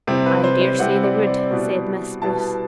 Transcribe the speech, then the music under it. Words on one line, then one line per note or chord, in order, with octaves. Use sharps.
"I dare say they would," said Miss Spruce.
C3 G3 C4 E4
B4
C5
C5
C3 G3 C4 E4 F#5
D5
D5
B2 G3 B3 E4
B2 G3 B3 E4 A5